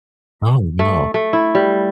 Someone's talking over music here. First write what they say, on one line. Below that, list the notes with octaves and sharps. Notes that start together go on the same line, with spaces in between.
Oh, no.
A3
A3
E4
G3